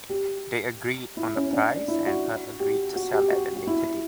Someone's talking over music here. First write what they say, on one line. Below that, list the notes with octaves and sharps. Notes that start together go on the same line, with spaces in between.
They agreed on a price and Hurd agreed to sell at a later date.
G4
E4
C#4
D4
E4
F#4
G4
F#4
G4
F#4
F#4
E4